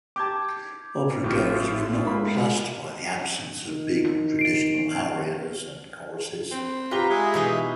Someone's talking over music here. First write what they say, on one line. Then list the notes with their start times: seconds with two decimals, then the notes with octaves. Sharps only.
Operagoers were nonplussed by the absence of big traditional arias and choruses.
0.16 G4 A5 D6 G6 G#6
1.24 A1 A2 F3 C4 F4 G4 E5
2.05 G#3 A#3 B5
3.67 D#3
4.39 C7 D7
6.51 C4
6.91 F4 G4 B4 A#5 G7
7.09 G#3 G#4 E5
7.34 B2 E3 D#4